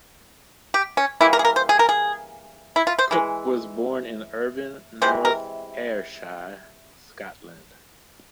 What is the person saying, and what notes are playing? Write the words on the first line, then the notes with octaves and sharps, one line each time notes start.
Cook was born in Irvine, North Ayrshire, Scotland.
G4
C#4
C#3 E3 G3 A#3 E4
A#4
G#4
A#4
C5
G#4
A#4
G#4
E4
F4
C5
E3 G#3
C3 E3 G#3 C5
A#4